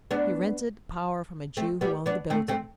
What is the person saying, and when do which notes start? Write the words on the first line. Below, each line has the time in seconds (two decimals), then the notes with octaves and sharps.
He rented power from a Jew who owned the building.
0.11 B3 D4
1.57 A3 C4
1.81 G3 B3
2.06 B3 D4
2.30 A3 C4
2.48 A3 C4